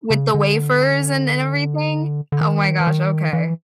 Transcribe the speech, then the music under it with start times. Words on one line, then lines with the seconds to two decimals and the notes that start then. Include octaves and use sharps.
With the wafers, and and everything? Oh my gosh, okay.
0.10 C#3
0.34 D3
2.32 D3
2.41 D#3
2.80 E3
2.87 D#3
3.33 E3